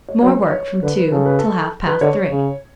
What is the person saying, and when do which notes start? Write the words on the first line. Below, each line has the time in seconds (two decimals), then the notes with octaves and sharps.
More work from two till half past three.
0.09 C#5
0.23 F#3 C#5
0.37 B4
0.50 C#5
0.83 D3 B4
0.97 B4
1.11 C#3 A4
1.26 B4
1.39 A4
1.87 B4
2.01 D3 C#5
2.31 C#3